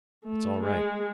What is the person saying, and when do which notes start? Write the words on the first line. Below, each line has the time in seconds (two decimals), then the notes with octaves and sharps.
It's all right.
0.25 A3
0.63 G#3